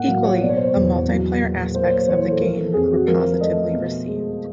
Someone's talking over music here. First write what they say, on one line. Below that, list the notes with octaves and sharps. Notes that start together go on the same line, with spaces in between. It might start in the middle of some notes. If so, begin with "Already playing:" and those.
Equally, the multiplayer aspects of the game were positively received.
Already playing: A2 A#3 F#5
F#3 F5
C#5
B2 D5
C#5
C5
C#5
E2
F#3
A#2
A#3 C5
C#5
C5
E3 C#5
C5
A4
F3 A#4
A4
F2 G#4
F#4
F3 A#4
A3 D#5
B2
G#3